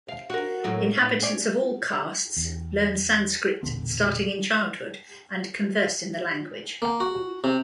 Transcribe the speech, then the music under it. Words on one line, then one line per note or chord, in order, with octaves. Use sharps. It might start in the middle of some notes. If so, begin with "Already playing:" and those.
Inhabitants of all castes learn Sanskrit starting in childhood and converse in the language.
F5
F#4 A#4
A2 F#3 A#3
A2 B4
C#4 D5
E2
E1 A#1 D3 B3
A#3
F#4
C3